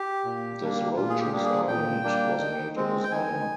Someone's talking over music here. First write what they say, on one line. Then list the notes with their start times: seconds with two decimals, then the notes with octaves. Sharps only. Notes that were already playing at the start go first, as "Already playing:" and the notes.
Desroches Island was named in his honour.
Already playing: G4
0.25 A#2
0.61 G3 A#3 D4
0.96 A#2 F4
1.10 G#4
1.20 G4
1.32 G3 A#3 D4 G4
1.44 G#4
1.68 A#2 G5
2.04 G3 A#3 D4
2.40 D#3
2.76 G#3 C4
3.04 G5
3.11 D#3 G#5